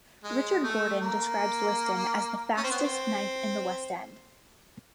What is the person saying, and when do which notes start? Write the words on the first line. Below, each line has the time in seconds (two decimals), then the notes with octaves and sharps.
Richard Gordon describes Liston as the fastest knife in the West End.
0.23 G#3
0.63 A3
1.01 A#3
2.56 C#4
2.63 C4
2.71 B3
2.78 C4